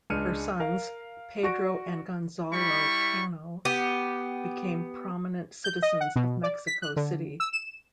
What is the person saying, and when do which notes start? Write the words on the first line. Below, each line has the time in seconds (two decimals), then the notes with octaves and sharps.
Her sons, Pedro and Gonzalo Cano, became prominent citizens of Mexico City.
0.10 C#2 G#3 D4 F6 C#7 D#7
0.60 A#4 F5
1.43 F#4 D5 C#6 A#6 D7
2.52 G3 E4 B5 C#6
3.65 B3 G4
5.64 G6
5.82 D#5
6.00 F#5
6.16 B2
6.43 D5
6.67 B6
6.82 F#6
6.96 D3
7.40 E6
7.53 E7